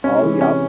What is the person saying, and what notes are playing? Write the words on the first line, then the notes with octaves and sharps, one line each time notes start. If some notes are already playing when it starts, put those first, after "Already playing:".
Oh, yep.
C3 C#4
E3 G#3
C3 C#4